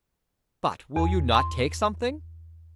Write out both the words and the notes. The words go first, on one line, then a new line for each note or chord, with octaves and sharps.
But will you not take something?
E2
C6